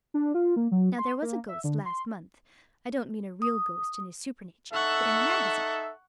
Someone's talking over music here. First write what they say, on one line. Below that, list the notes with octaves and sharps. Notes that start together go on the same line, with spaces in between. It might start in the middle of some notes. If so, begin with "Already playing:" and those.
Now there was a Ghost last month--I don't mean a real Ghost in in Supernature--but in a Magazine.
D4
F4
A#3
F#3
C6
A#3
E5
D3
C6
D#6
D#4 A4 E5 F#5 C#6